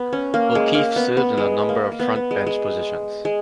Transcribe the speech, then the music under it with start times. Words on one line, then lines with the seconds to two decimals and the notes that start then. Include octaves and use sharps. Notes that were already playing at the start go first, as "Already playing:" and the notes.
O'Keeffe served in a number of frontbench positions.
Already playing: B3
0.13 C#4
0.34 A#3
0.55 G#3
0.75 A#3
0.96 B3
1.17 B3
1.37 G#3
1.69 A#3
1.92 A#3
2.00 B3
2.16 B3
2.31 G#3
2.47 G#3
3.25 G#3